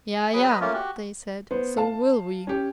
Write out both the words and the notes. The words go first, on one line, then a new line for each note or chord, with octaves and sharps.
"Yea, yea," they said, "so will we."
G#5
F#3 G#4 B4 D#6
B4 D#5
A3 A#3 C#4 F4
F#4 G4
B3 C5
F5 A5
C#4 G4